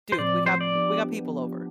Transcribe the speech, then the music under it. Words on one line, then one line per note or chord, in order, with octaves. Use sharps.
"Dude, we got we got people over,
C5
A2 F3 C4 D5
C5
D5
F3 B3 D4 G4